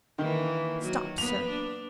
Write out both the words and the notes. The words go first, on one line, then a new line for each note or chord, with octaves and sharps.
Stop, sir!
D#3 E3 A#3
F#3 F#4
A#3 B3 B4 F7
D4